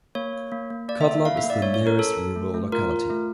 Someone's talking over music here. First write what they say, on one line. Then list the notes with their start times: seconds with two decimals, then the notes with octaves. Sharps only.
Khotlob is the nearest rural locality.
0.15 A#3 C#5
0.33 A#3
0.52 A#3
0.70 A#3
0.89 A#3 D5
1.01 E5
1.07 A4
1.25 E4 F5
1.37 E5
1.43 A#3
1.50 D5
1.62 A3 C#5
1.74 C#5
1.81 C#4
1.87 A#4
1.99 A4
2.17 A4
2.36 A3
2.54 A3
2.72 F4 A#4
2.91 F4
3.09 A3